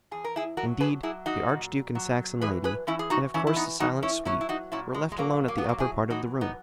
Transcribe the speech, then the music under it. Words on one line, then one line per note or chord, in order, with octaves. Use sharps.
Indeed, the archduke and Saxon lady, and of course the silent suite, were left alone at the upper part of the room.
E2 G#4
A#4
E4 G#4
F#3 F#4 A#4
G#4 B4
F#3 E4 G#4
D#4 F#4
A#2
F#3
E3 G#4 B4
G#4 B4
E3 C#4 E4
G#4
D#4 F#4
E3 C#4 E4
E4
B3 D#4
E3 D#4 F#4
C#4 E4
F#3 C#4 E4
E4
D#4 F#4
A#2 C#4 E4
G#3
G#3
F#3 A#3
A#3
B3
F#3 A#3
E4 G#4
E3 D#4 F#4
B3 D#4